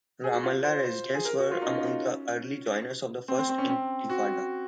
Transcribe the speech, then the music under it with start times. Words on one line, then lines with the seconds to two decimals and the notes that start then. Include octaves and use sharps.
Ramallah residents were among the early joiners of the First Intifada.
0.24 G#4
0.34 F#4
0.43 F4
0.64 C5
0.84 C5
1.14 G#4
1.25 A#4
1.38 F#4
1.51 F4
1.62 D#4
1.66 C#4
3.28 C4
3.39 C4
3.49 C4
3.58 C#4
3.69 C4
4.09 F#4